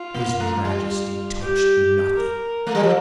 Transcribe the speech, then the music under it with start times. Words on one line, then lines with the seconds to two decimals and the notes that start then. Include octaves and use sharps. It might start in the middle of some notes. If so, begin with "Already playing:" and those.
His Majesty touched nothing.
Already playing: F4
0.14 A#3
0.40 A3
0.65 G3
1.40 G4
2.16 A#4
2.67 A3
2.75 G3
2.83 F3